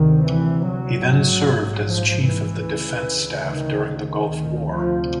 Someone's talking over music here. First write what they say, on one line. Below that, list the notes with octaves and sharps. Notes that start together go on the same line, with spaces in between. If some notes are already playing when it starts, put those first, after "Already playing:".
He then served as Chief of the Defence Staff during the Gulf War.
Already playing: D2 C3 D#3
E3
F#3
A#1 G#2
F3
E3
D2 C#3
D#3
D#3
D2 C3
F3